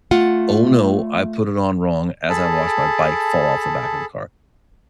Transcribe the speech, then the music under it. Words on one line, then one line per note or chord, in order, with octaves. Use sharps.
"Oh, no, I put it on wrong." as I watched my bike fall off the back of the car,
A3 F4 F#5
G#4 A4 A5 B5